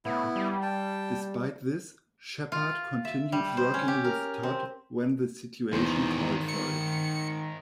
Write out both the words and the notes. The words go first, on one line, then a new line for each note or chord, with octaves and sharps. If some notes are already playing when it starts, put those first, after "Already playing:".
Despite this, Sheppard continued working with Todd when the situation called for it.
A2 B3 E4
G3
G5 A5
F4
E5
G3
C5
C#4
G4
A#4
C4
E2 D#3 C5
C#7